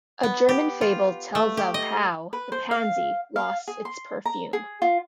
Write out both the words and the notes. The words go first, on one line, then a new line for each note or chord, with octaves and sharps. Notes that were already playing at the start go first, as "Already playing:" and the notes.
A German fable tells of how the pansy lost its perfume.
B3
G4
F4
A3
G4
D#5
B4
C5
F5
F5
G#4
C6
A#5
G#4
F4